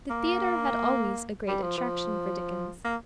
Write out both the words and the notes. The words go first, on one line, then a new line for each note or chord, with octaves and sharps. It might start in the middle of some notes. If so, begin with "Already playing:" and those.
The theater had always a great attraction for Dickens.
A#3
G3
F3
F3
A#3